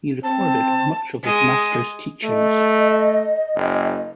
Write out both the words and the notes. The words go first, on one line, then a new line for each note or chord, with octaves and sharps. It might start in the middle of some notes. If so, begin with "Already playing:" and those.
He recorded much of his master's teachings.
C4 A5
G#3 D#6
A3 D#5
F#1